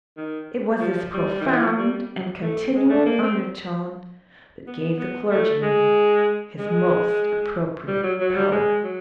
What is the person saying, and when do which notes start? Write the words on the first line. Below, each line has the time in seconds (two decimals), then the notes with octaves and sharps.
It was this profound and continual undertone that gave the clergyman his most appropriate power.
0.17 D#3
0.80 F3
1.14 G3
1.41 D#3
1.46 E3
1.61 F3
1.78 G3
1.94 G3
2.42 A3
2.74 G#3
2.90 A3
3.06 A#3
3.22 C4
4.67 B3
4.99 B3
5.30 A3
5.62 G#3
6.59 G#3
7.88 G3
8.03 F#3
8.20 F#3
8.36 G3
8.52 G#3
8.83 F#3